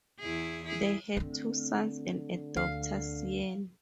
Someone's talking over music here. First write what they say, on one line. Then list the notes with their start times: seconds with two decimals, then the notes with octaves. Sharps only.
They had two sons and a daughter, Sian.
0.20 E2 E4 G#4
0.65 E4 G#4
1.17 D3 A3 C4
2.57 D2 F5